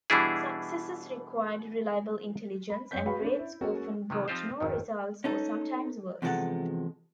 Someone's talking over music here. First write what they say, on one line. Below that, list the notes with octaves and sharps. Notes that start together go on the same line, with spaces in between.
Successes required reliable intelligence and raids often brought no result-or sometimes worse.
B2 E3 G3 D4 E4 G#4
B5
F#2 C#5 G6 B6
F#4 G#4 B4 F5 B5
C#4 D4
E4
G#3 A#3 C#4 F#4 A4
C3 D#3 F#3
F3 C4 D#4 F4 G4 C5
G#1 F2 D#3
C#4 D#4 A4
E2 C3 F3 G#3 A4 F#5